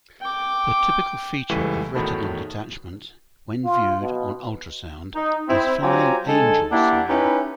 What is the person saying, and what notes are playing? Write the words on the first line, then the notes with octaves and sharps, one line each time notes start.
The typical feature of retinal detachment when viewed on ultrasound is "flying angel sign".
G5 D6
C#2 E3 G3 A3 C#6 B6
E2 A2 D#3 F#4 A5 B5
F4
B2
D#4
C4 E4
F#3 C4 F4 G4 G#5 A#5
D3 G#3 D#4 A4 G#5 A5
A#3 D4 E4 G4 D5 F#5
C#4 D#4 E4 G4 B4